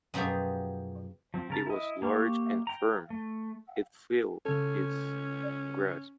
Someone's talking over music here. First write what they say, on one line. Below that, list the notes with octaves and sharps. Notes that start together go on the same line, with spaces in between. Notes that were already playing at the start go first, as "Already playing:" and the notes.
It was large and firm; it filled his grasp.
F#2 B2 F3 G4 G#4
F3 C4
C#3 A#4 A5
E4 D#5
A#3 G4 F5 C#6
G5 A#5
A3
C#3 C#4 A4